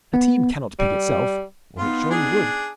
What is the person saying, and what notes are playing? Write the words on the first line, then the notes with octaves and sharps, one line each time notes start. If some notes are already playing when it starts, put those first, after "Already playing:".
A team cannot pick itself, or it surely would.
B3
G3
B3 D#4 F4
D4 G#4